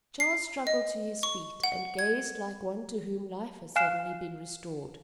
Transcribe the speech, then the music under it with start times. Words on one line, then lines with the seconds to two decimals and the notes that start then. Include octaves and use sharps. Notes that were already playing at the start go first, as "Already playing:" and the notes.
Charles struggled to his feet and gazed like one to whom life has suddenly been restored.
0.20 C7
0.67 D#5
1.23 C#6
1.64 F#5
1.99 G#6
3.76 F5 G#5 F6 F#6 C7 E7